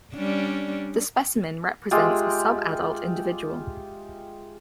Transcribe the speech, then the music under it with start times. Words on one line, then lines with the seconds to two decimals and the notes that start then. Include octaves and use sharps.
The specimen represents a subadult individual.
0.14 G3 C#4 D4
1.91 G#3 F4 G4 E5